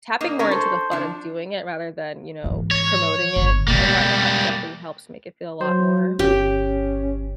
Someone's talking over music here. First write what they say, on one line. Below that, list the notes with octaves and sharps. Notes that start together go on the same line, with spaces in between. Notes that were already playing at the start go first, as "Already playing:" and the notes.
Tapping more into the fun of doing it rather than, you know, promoting it and whatnot, definitely helps make it feel a lot more
A#3 D#4
C#4 D4 A#4
A4 C5
F3 D4
G#2 E3
C#5
G1
B2 G3 G#3 A#3
F#3 C5
G1 C#4 G4